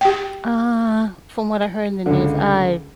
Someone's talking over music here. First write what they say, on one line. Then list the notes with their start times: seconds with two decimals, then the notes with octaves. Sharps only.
Uh, from what I heard in the news, I
0.01 G4 G5
2.06 C#2 D3